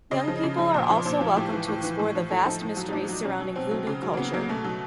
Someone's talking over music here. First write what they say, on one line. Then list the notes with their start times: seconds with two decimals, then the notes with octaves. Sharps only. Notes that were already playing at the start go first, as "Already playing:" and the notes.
Young people are also welcome to explore the vast mysteries surrounding Voodoo culture.
0.11 C#3 D#5
0.28 F3
0.43 C#3
0.58 F3
0.74 A#2
0.90 F3
1.05 A#2 C5
1.21 F3
1.36 A2 G4
1.53 E3
1.68 A2
1.84 E3
1.99 A2
2.15 F3
2.30 A2 A4
2.46 F3 D#4
2.62 A2
2.77 F#3
2.88 D#4
2.92 A2 D4
3.09 F#3
3.24 B2 C#4
3.40 F#3
3.55 B2 C4
3.71 F#3
3.87 C#3
4.03 F#3
4.13 A#3
4.17 C#3 B3
4.33 F#3 A#3
4.49 B2 A3
4.64 F#3